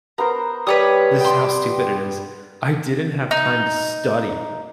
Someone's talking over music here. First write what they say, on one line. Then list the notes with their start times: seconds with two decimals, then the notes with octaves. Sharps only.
this is how stupid it is, I didn't have time to study
0.18 B3 A#4 C5 A#5
0.67 G3 A4 B4 C#5 D#6
1.20 B3 G5 C6
3.31 D#4